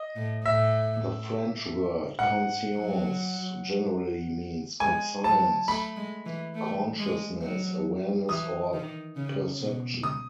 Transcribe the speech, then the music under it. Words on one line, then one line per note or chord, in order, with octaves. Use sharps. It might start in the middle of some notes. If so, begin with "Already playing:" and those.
The French word "conscience" generally means "conscience", "consciousness", "awareness", or "perception".
Already playing: D#5
A2
A2 E5
G#2 F#5
F#3
G#3 G#5
F#3 A5
A3 B5
G#3
E3
A3
G#3
F#3
E3 D#6
D#3
C#3
B2
D#6